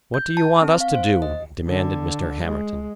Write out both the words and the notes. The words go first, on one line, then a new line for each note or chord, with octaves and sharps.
"What do you want us to do?" demanded Mr. Hamerton.
G6
A5
C4
F5
C5
D#5
D3
G#3